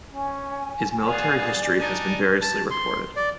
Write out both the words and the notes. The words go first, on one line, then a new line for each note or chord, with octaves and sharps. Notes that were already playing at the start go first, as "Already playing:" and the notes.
His military history has been variously reported.
C#4 G#5
B3 G#4 D5 F5
D4 D#4 G#5
A5
C6
D5